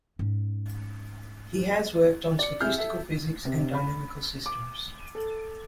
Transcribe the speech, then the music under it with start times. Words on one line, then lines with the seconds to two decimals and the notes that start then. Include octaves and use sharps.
He has worked on statistical physics and dynamical systems.
0.19 G#2 C#4
2.39 D5 C#7
2.61 C3 E4 G#4 F6 G6
2.78 A4 E5
3.45 C3
3.74 B5
4.46 D6
5.15 A4